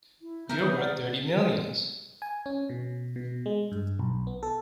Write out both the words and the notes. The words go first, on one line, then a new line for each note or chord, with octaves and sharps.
You're worth thirty millions!
E4
B3 D#4 A#4 E5 G6
B4 C#5 D#6
D5 F#5 F6
G#5
C#4
B2
B2
G#3
G2
B1
B3
A4